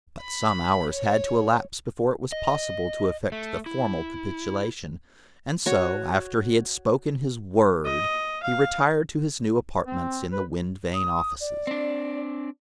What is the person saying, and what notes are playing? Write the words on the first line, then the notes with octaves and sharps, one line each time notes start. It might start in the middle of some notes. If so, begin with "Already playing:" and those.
But some hours had to elapse before it was possible to effect the formal capitulation, and so after he had spoken his "Word" he retired to his new apartments in the wind-vane offices.
B5
C#5
D#5
A3
E4
F#4 C#5
D#5
F5
C4
B4
D#6
D5
C4 D4